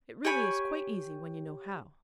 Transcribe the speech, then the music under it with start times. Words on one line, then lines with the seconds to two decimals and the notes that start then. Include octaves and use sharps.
It really is quite easy when you know how.
0.25 G4 C#5 G#5 B5